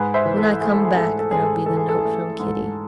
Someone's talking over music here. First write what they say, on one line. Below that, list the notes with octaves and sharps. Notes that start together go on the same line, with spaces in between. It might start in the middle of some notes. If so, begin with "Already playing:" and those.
When I come back there'll be the note from Kitty.
Already playing: G#2 G#4 B4
C5 E5
E3
A4
A3 G#4
A4
G#4
G#2 A4
G#4
A4
G#2 G#4
A4
G#4
E3 A4
G#4
A4
A3 G#4
G#2